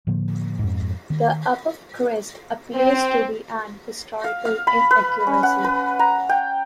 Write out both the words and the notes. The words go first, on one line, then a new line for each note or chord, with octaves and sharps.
The above crest appears to be an historical inaccuaracy.
A2 D3 F3 A#3
F2 G#2
D#3
C4
F5
F5
B5
B4
C#4
F#5
B4
A#5
G5